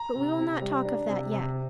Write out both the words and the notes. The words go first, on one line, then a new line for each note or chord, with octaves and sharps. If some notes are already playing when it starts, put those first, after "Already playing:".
But we will not talk of that yet.
Already playing: A#5
C3
C3
G3
D4
C3
C3